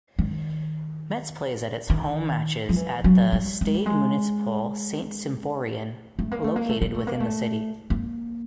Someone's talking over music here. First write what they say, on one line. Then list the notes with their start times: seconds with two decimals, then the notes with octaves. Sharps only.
Metz plays its home matches at the Stade Municipal Saint-Symphorien located within the city.
0.19 D#3
1.90 D#3
2.69 F3
2.76 E3
3.04 F#3
3.32 G3
3.61 G#3
3.74 G3
3.86 G#3
6.19 A3
6.31 A#3
6.44 A3
6.56 A#3
6.69 A3
6.81 A#3
6.94 A3
7.07 A#3
7.20 A3
7.90 A#3